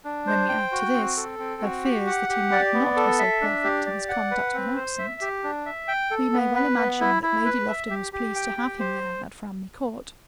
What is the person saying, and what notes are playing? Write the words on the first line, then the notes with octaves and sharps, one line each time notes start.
When we add, to this, her fears that he might not be so perfect in his conduct when absent, we may well imagine that Lady Lufton was pleased to have him there at Framley Court.
D4
C5
G5
F#4
C4
A4
C4
F#4
G4
F#5
G4
D5
B3
A4
E5
D4
G4
D5
F#5
B4
C4
C5
E5
G4
D4
E5
G5
A4
B3
B4
B3
E4
E4
B4
E5
G4
G4
G5
G4
C5